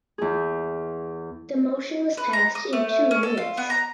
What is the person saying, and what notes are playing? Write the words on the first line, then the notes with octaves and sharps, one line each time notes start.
The motion was passed in two minutes.
E2 G#4
B4
A#5
D#6
A3
C#4
A4
F4
B3
A#5